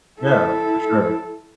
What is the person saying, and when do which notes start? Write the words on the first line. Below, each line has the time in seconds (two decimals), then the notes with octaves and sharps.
Yeah, for sure.
0.20 E4 A4